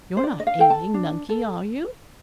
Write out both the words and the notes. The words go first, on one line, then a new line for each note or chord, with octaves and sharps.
You're not ailing, Nunkie, are you?
C5
D4 D5
D#5
F5
A4 G5
A5
D4
A4